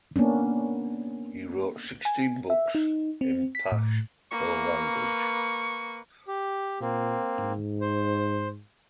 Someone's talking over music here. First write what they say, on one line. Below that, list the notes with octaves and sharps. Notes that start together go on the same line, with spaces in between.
He wrote sixteen books in Pashto language.
A#3 B3 C#4 D4
G#5
E5
D#4
C4
B6
A2
A#3 B4 C#6
G4
A#2 A#3 C4
G#2
C5